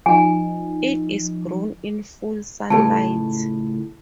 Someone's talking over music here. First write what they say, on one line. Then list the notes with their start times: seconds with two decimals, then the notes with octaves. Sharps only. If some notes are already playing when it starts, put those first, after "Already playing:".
It is grown in full sunlight.
0.06 F3 D#4 G#5
2.70 C#2 A2 A4 A5